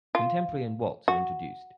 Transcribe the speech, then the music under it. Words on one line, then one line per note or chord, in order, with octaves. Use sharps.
Contemporary and waltz are introduced.
F4
F#4